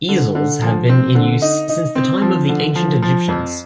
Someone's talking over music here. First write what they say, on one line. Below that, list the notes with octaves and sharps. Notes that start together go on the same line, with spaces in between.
Easels have been in use since the time of the ancient Egyptians.
D3
D3
F3
C4
D3
D#4
D#4
C4
F3
D3
F3
F3
F2